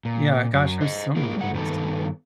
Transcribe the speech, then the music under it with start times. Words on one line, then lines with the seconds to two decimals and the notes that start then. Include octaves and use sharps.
yeah gosh, there's so many things.
0.05 A#2
0.53 F#2
0.81 C5 D#5
1.16 A#3 F4 G#4 A#4
1.37 G3 A3 F#5
1.54 G2 D#3 B3 A4